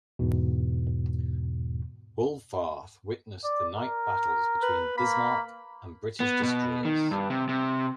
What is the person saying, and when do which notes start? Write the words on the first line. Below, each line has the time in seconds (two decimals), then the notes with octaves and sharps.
Wohlfarth witnessed the night battles between "Bismarck" and British destroyers.
0.19 E2 G#2 B2
3.44 D5
3.77 A#4
4.62 B4
4.98 A#3 B5
6.20 B3
6.42 B2
6.85 D#3
7.11 G2
7.30 C3
7.49 C3